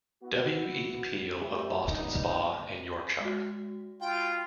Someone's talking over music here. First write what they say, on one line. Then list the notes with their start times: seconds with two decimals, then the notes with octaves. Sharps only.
W. E. Peel of Boston Spa in Yorkshire.
0.22 B3 E4 F#4
1.41 G3 A3
1.88 D3 F#3 G3 B3 D#4
3.21 G#3 F#4
4.01 F4 G5